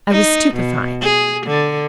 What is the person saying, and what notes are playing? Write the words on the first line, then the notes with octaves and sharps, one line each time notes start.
I was stupefied.
D#4
B2
G#4
D3